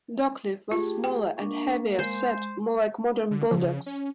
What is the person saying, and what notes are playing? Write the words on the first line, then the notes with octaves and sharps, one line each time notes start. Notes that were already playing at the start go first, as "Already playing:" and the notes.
Dockleaf was smaller and heavier set, more like modern Bulldogs.
A3 F4 G4 G#4 A5
G5
A#3 D4 C#6
G#3 C5
D3
C#3 F3
C#4